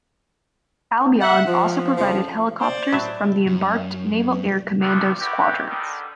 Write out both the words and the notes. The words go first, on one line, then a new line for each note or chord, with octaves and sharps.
"Albion" also provided helicopters from the embarked Naval Air Commando squadrons.
E5 F#5
F3
F2 C#3 F3
C5 D5
A2 F#3 E5
F#2
G2 A#2 D#3 F3 A3 D4
B3 E4 F#4 G4
D3 D#3 G3